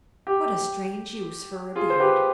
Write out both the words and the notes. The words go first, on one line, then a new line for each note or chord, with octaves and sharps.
What a strange use for a "beard"!
G4
F4 G#4
C5
G4 B4